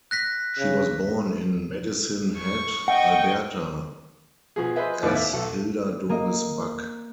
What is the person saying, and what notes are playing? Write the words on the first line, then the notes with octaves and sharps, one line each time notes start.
She was born in Medicine Hat, Alberta as Hilda Doris Buck.
F#6 A#6 B6
C#3
C#6
D#5 F#5 G5
B2 F3 G#4
B4 C5 D#5 E5 G#5
D#2 A2 B3 B4 D5 D6
E5
B1 F#4 A4
A#3 D#5